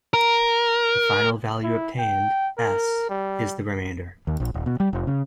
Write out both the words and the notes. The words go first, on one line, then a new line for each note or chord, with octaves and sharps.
The final value obtained, "s", is the remainder.
A#4
E4
G5
A#4
G3
D#2
A#1
D#1
B2
G3
F1
C#3